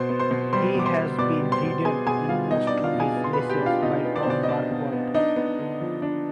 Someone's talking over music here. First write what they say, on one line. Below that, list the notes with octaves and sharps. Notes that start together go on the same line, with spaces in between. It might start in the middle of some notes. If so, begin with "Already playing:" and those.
He has been ridden in most of his races by Tom Marquand.
Already playing: B2 C5 C6
B3
C5 C6
B2
G3 C5 C6
B2 D6
C5 C6
B3
B2 D5 D6
G3
C5 C6
B2
B3 G#4 G#5
B2 G#4 G#5
G3 F4 F5
B2 D#4 D#5
D5
D4
F4 F5
B2
G#4 G#5
B3
C6
B4 B5
B2
G4 G5
D4
F4 F5
B2 D#4 D#5
B3
D5
C5
B2 D5
D#5
D4 D5
B2
B3
D4 D#4 D#5
B3
D3
F3
D4